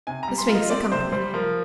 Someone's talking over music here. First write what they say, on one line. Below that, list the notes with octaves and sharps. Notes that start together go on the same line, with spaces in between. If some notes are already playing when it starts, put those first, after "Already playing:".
The Sphinx accompanied him.
C3 G#5
G3 A#5
C6
F4 D#5
C4 D5
C3 C5
G3 C5
F3 A#4